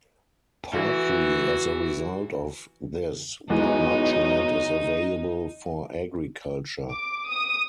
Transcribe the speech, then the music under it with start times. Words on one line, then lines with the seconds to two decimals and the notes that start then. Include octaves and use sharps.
Partly as a result of this, not much land is available for agriculture.
0.72 E3 F#4
3.50 B1 E2 E3 G#3 D#4
6.91 D6
7.28 D#6